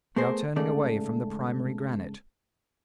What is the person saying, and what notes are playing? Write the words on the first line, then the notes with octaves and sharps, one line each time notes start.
We are turning away from the primary granite.
A3 B3 G#4 A#4 C5
G#2 C#3 A3 D5